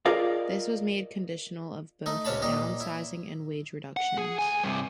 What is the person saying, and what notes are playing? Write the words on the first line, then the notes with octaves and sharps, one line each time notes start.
This was made conditional of both downsizing and wage reductions.
F4 G#4 A#4 D5 D#5 F5
A3 D#4
C#2 C3 C#4 C#5 A5 B5
A#2 D#4 G4
E4
F#5
G#4
D2 G#5
G2 C3